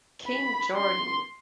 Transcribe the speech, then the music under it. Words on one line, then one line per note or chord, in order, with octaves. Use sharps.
King Jordan.
B5
C6